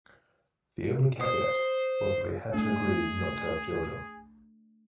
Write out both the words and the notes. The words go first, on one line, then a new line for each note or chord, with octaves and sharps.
The only caveat was they had to agree not to have children.
C5 D#6
A3 D4 G#4